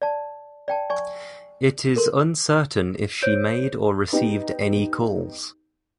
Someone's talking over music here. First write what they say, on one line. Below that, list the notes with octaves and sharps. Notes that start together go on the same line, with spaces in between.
It is uncertain if she made or received any calls.
D5 A5
D5 G5 A5
D5 G#5 C#6
A4 A#4 C6
C5 C#5 G6 D7
B3 D#4 G4